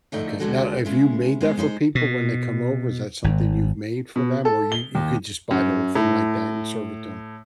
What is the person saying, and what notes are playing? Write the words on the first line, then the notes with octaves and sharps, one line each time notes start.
Okay, now have you made that for people when they come over? Is that something you've made for them? Or you you could just buy the whole thing like that and serve it to 'em?
D3 F3 A3 D4 D#4
D#2 D3 G3 G#3 F#4 A4
C#3 G#3 E4
G#3 B3 C5
G#3 D#4 B4 C5
B2
G#1
B2
A4
G7
D#2
F#2
A2